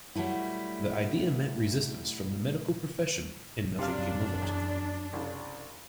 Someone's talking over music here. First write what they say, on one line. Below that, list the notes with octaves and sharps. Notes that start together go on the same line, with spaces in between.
The idea met resistance from the medical profession and nothing came of it.
F#3 G3 A3 E4
F#2 C3 D4 F5 F6
E2
C2 C#3